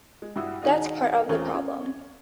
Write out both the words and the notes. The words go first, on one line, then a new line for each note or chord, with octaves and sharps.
That's part of the problem...
G#3
G2 G3 E4 F#4 D#6 E6
D#3 D#4 F#4 G#4 D#5 F5
A1 E2 C4 C#4 F4 G#4
C#4